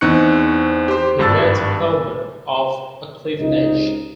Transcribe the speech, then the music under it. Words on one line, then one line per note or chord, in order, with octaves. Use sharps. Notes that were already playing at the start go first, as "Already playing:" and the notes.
He leads Elmer off a cliff edge.
E2 C4 D#4 C#6 F#6 C#7
G4 C5
G#1 G2 D4 A5 E6 A6
C#2 C3 D#4